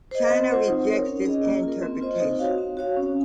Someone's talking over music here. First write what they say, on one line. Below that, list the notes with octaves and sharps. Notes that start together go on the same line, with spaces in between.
China rejects this interpretation.
C5 D#5
C4
F4 C5 F#5
D#4
A#4 C#5
C#4
G#4 D#5
A#3
F4 A#4
C4
F4 C5 D#5
D#4
F#4 C#5 F5
C4
F#4 C#5 F5
C#4